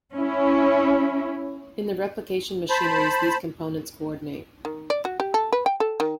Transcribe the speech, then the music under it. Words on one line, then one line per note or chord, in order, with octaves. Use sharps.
In the replication machineries these components coordinate.
C#4 E4
C5 A5 B5
D#3
D5
F#4
G4
A4
B4
G5
A4
D#3